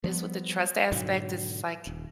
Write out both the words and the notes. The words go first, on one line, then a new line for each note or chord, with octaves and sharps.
it's with the trust aspect, it's like
F3 G3 B3
G#2 B2 D3 F#3
D#1